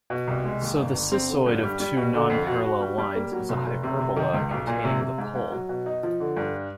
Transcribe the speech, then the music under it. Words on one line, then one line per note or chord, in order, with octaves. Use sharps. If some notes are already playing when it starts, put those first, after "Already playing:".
So the cissoid of two non-parallel lines is a hyperbola containing the pole.
B2
C2
G#3
D#2
G1
G1
C4
D3
G2
G3
G3
B2
D3
F2
F#4
F#4
G3
G3
A#3
F#3
F1
F1
C3
C3
D#3
C#2
B1
A#2
C3
C3
G#2
G#2
F#3
B2
D#4
F3
D3
G2